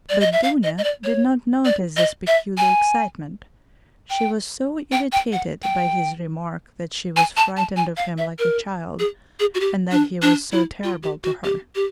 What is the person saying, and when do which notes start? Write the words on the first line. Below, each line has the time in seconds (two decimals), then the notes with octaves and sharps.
But Dounia did not notice this peculiar excitement, she was so irritated by his remark that she was frightened of him like a child and that he was so terrible to her.
0.09 D5
0.20 D#5
0.32 E5
0.43 F5
0.63 D#5
0.78 D#5
0.84 D5
1.04 C#5
1.65 D5
1.97 D#5
2.27 E5
2.57 G#5
4.10 G5
4.92 G5
5.12 G5
5.32 F#5
5.63 G5
7.17 G#5
7.37 A5
7.57 A5
7.77 G#5
7.97 F5
8.18 E5
8.39 A#4
8.99 G#4
9.40 G#4
9.55 F#4
9.60 G4
9.91 D4
10.22 D4
10.52 E4
10.84 F4
11.03 G4
11.24 F#4
11.44 G4
11.75 G4